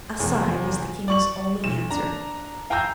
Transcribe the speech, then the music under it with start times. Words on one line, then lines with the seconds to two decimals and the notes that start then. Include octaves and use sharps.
A sigh was the king's only answer.
0.19 F1 E2
1.08 D5 C#6 F#7
1.64 B1 E7
1.91 D4 A#5
2.70 F5 G5 G#5 A#5 E6 G6